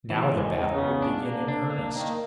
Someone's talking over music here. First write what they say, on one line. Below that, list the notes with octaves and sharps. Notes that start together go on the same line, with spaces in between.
Now the battle would begin in earnest.
B2 E3
G#3
C3
D#4
C#3
B3
D4
A#3
D4
A#3
D#3 A#3